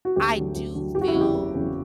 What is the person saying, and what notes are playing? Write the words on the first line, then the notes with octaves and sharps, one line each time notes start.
I do feel
F#4
D2 G4
D3 F#3
D2
D3 F#3
F#1 G4
F#4
E4
E2 C#3 F#3 F#4
G4
F#1
E2 C#3 F#3